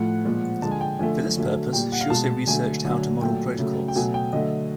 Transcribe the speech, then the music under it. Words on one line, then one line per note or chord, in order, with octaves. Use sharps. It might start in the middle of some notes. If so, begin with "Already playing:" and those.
For this purpose, she also researched how to model protocols.
Already playing: A2 F3 A3 F#5
A#2 F3 G#3
D3 F3 G#3 A5
G#5
G5
D3 F3 A3 G#5
D3 F#3 A3
A#2 G3 G5
F#5
F5
B2 G#3 A5
D3 F#3 A3 G#5
D3 F#3 A3
A#2 F#3 A3 G5
C#3 F#3 A3
G5
B2 F#3 A3 G#5
G5
D3 F#3 A3 D#5